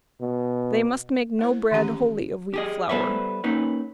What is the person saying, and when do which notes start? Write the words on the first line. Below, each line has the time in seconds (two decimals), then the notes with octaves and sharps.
They must make no bread wholly of wheat flour.
0.21 B2
1.39 A3 E4 C5
1.71 D#3 E3 A3 C#4 G4 A#5
2.54 G4 G#4 D#5
2.89 G3 B3 A4 B4 C5 E5
3.44 A#3 C#4 D#4 B4 F#5